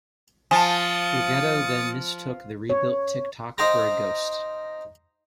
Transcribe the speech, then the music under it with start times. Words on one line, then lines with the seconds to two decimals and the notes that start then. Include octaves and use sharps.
Ruggedo then mistook the rebuilt Tik-Tok for a ghost.
0.51 F3 G#5 A5 D#6 A6 C#7
2.70 C#5
3.58 D#4 C5 F5 G5 A#5